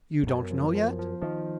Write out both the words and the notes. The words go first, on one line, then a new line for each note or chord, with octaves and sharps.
"You don't know yet?"
F2
F#2 B3
F3
F3
F3
D#3 F3